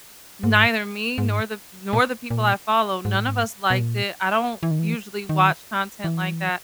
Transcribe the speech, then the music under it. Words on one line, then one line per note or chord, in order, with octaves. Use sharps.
neither me nor the nor the people I follow, none of us liked it, I don't, usually watch content like that,
G#2
G#2
A#2
A#2
G#2
A2
G#2
B2
A#2
E3
D#3
E3
D#3
E3